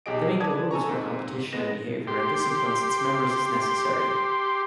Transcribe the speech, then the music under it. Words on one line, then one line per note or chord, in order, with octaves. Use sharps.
They make the rules for competition and behavior and disciplines its members as necessary.
B1 G4 G#4 D#5 D7
B4 D5 A5 D#6 G#6
A4 G#5 A#5 C#6
G#2 C4
G#3 B3 A#6 E7
G4 C6